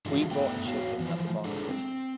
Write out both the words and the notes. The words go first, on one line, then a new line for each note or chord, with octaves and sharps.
We bought a chicken at the market.
D3 E3 F#3 G#3 F4
A3 B3 G5
B3 F#4 C#5 F5
E3 F3
G#3 D4 G#4 A4
C4